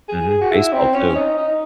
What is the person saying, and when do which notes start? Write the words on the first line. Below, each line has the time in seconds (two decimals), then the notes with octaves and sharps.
Mhm, baseball too.
0.09 G#4
0.30 G#4
0.41 F#4
0.51 E4
0.73 C4
0.94 C#4
1.15 D#4
1.37 D#4